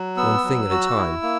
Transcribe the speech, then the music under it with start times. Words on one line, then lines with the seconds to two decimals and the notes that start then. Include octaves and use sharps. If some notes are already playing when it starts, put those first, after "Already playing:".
One thing at a time.
Already playing: F#3
0.17 B3 E6
0.44 F#3
0.70 F#4
0.96 E4
1.23 A#3